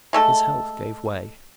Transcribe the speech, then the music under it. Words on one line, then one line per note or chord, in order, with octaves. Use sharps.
His health gave way.
G#3 A3 A4